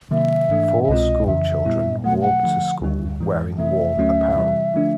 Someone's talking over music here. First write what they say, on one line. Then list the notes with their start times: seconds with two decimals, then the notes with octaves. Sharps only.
Four school children walk to school wearing warm apparel.
0.11 C3 D#3 F#3 A#3 E5
0.49 G#2 E3 A3 D4
0.83 E5
0.89 C2 B2 G#3 C4 F4 D#5
1.27 F2 C#3 E3 E5
1.65 A#2 G3 B3 E4
2.04 B2 F#3 A3 F#5
2.22 F#5
2.43 D3 F3 A3
2.81 D2 D3 G3
3.19 G#2 E3 G#3
3.58 C3 E3 A3 E5
3.97 D2 D3 F#3 A3 C#4
4.35 C3 E3 G3
4.74 D3 F3 A3 D4